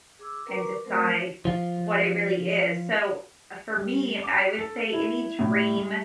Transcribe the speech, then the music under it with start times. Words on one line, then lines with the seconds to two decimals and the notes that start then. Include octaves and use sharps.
and decide what it really is, so, uh, for me, I would say any dream
0.19 G#4 D6 E6
0.46 A#4 B4 A#5 C#6 D6
0.84 F#3 A3 C4 A#4 C5
1.45 F3 F4
3.76 G3
4.23 D6
4.58 A4
4.93 E4
5.39 A2
5.76 G3